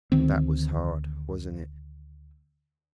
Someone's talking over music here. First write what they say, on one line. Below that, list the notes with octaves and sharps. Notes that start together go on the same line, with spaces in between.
That was hard, wasn't it?
D2 D#3 C4